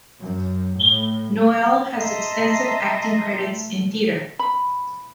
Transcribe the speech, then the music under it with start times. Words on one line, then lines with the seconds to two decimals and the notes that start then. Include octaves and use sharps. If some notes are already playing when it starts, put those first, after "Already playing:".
Noel has extensive acting credits in theatre.
0.21 F#2
0.79 A2
1.96 D#5 E5 A5 A#5 C6
3.40 A3
4.39 B5